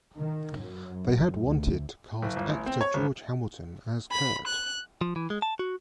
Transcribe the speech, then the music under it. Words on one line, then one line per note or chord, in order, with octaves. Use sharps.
They had wanted to cast actor George Hamilton as Kurt.
D#3
F#2
D2
F#1
G1
A1
C4
C#5
G#1
B5
F#6
F3
E3
G#3
A5
F#4